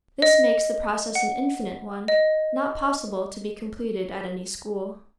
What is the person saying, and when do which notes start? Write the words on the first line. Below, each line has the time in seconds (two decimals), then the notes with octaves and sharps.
This makes the process an infinite one, not possible to be completed at any school.
0.22 D#5
1.15 F#5
2.08 D#5